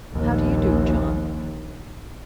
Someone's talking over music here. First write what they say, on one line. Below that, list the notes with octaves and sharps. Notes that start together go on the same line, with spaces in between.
"How do you do, John?"
A#1 D#2